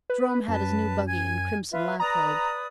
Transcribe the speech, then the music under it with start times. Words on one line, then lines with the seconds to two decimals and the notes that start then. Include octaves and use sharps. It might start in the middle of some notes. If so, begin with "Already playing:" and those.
Jerome had his new buggy and crimson lap robe.
0.10 B4
0.48 F#2 B4 A5
1.06 G#5 G#6
1.72 F4 B4 E5
2.00 B4 D5 A#5 D#6